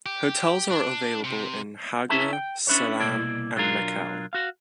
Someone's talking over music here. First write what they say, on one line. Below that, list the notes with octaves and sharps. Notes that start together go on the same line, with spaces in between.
Hotels are available in Hagere Selam and Mekelle.
G4
D4
C3
C#4 E4 B4 E5 A5 A#5
G5
C#4 D4 E4 B4 C#5
C2 B2 A#3 E4 D5
B1 F#3 D4 F4 A#4
F#4 F5